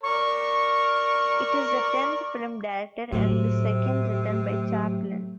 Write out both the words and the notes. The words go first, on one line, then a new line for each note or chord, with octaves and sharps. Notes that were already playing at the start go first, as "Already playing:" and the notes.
It is the tenth film directed and the second written by Chaplin.
A#4 D5 C#6
A2 C3 F#3 A3